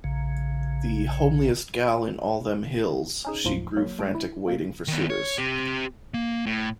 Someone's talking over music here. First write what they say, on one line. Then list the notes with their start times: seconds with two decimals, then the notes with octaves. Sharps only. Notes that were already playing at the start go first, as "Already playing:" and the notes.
The "homeliest gal in all them hills," she grew frantic waiting for suitors.
0.04 A#1 C#3
3.25 C#4 D#4 G#4
3.44 G1 D#2 A2 F3 D#4 F4
3.77 F#3 A#3 C#5
3.99 G#3 D4 D7
4.15 E4
4.48 C3 A#3
4.88 D#3 B3
5.10 C#5
5.38 C4 G4
6.14 A#3
6.46 A2